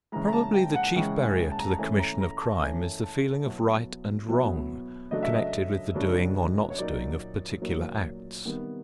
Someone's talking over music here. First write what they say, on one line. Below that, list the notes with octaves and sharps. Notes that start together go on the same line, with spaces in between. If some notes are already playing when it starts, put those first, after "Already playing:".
Probably the chief barrier to the commission of crime is the feeling of right and wrong connected with the doing or not doing of particular acts.
C#3 E3 G#3 A#5
A#5
A5
G5
F#5
C#3 E3 G#3 G5
G#5
A5
A#5
A5
E3 A3 C#4 G#5
A#5
A#5
A5
E3 A3 C#4 G#5
A5
B2 F#3 B3 E4
B2 F#3 B3 E4
C#3 F#3 A3 D4 D#5
E5
D#5
C#3 F#3 A3 D4
C#5
A#2 F#3 A#3 D#4 D5
A#2 F#3 A#3 D#4
C3 D#3 G3 B3